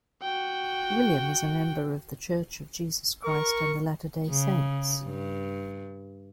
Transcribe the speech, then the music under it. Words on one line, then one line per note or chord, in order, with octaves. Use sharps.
William is a member of The Church of Jesus Christ of Latter-day Saints.
F#4 G5
A#4 C#6
C#3
G2